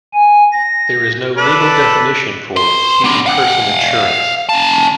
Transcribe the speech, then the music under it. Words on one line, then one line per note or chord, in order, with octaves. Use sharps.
There is no legal definition for "key person insurance".
G#5
A#6
D4 A4 B4
B4 C6
B3 D4
F5 F#5
C#4 A5